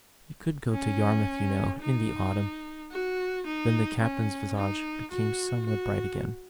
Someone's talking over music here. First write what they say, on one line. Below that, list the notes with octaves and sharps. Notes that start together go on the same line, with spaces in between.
"We could go to Yarmouth, you know, in the autumn." Then the Captain's visage became somewhat bright again.
C#4
D#4
F#4
D#4
C#4
D#4
F#4
F#4